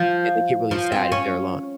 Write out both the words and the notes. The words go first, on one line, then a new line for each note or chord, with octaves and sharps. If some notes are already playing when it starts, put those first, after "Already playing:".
Yeah, they get really sad if they're alone,
Already playing: F3
F3
C4
C#4